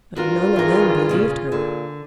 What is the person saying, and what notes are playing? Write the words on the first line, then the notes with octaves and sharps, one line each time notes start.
But none of them believed her.
G2 F4 F#4 A#4
E3 G#4 A#4
A#2 C#3
A#2 D3